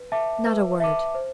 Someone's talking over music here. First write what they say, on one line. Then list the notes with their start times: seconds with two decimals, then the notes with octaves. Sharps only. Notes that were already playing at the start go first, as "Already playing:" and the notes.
"Not a word."
Already playing: B4
0.12 E5 A5 D6
0.46 B4
0.80 E5 A5 D6
1.15 C5